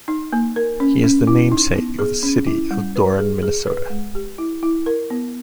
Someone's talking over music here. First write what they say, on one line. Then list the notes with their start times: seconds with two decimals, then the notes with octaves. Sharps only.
He is the namesake of the city of Doran, Minnesota.
0.08 D#4
0.33 A#3
0.56 A#4
0.80 C#4
1.04 C#4
1.27 E4
1.52 D#4
1.76 B3
1.99 G#4
2.23 C#4
2.47 E4
2.71 G3
2.96 B4
3.19 G#4
3.43 G#4
3.67 B4
3.90 G#3
4.15 G4
4.38 E4
4.63 E4
4.86 A#4
5.10 B3